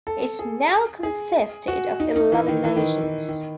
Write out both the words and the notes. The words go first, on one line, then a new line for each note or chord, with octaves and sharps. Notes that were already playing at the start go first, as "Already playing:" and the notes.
It now consisted of eleven nations.
A4
G#4
G#4
F#4
D#4
D#4
E3
D#3
E3
D#3
D#3
D#3